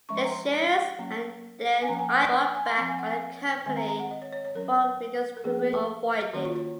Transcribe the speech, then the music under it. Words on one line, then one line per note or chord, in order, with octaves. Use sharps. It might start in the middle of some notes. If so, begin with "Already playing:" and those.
The shares are then either bought back by the company for redistribution or voided.
F3 G#3 C#4 C#6
C6
A#5
C6
F#3 A#3 C#4
G#5
F3 A#3 C#4 A#5
G#5
F#5
C6
C6
G#5
G#5
C6
F3 C4 C6
G#5
F#5
G#5
D#3 G#3 C4 G#5
A#5
A#5
F#5
D#5
C#5
C#5
C#5
F#3 C#4 A#4
A#4
F3 A#3 C#4 G#4
D#3 A#3 C#4 F#4
F4
C#5